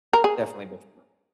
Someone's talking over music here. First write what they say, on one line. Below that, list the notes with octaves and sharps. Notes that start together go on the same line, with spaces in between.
Definitely before.
A#4
G#4